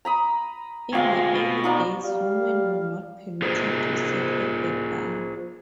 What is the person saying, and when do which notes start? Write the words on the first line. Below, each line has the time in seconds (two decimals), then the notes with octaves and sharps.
In the early days women were not permitted to sit at the bar.
0.05 A#5 B5 D#6
0.93 D2 G#3 C4 F4 F5
1.34 B2
1.64 D#4 F4 D5
2.04 G3 F5
3.42 F4 G#4 B4 C5